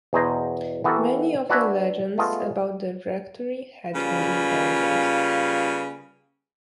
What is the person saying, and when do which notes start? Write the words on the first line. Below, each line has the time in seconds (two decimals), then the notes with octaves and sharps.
Many of the legends about the rectory had been invented.
0.13 E2 B2 G#4 C5 D#5 A#5
0.84 E3 B3 F#4 G4 A4 A#4
1.49 D4 F#4 B4 E5 G#5
2.18 A3 B3 F4 G#4 D#5
3.94 C#3 G3 A#3 F4 B4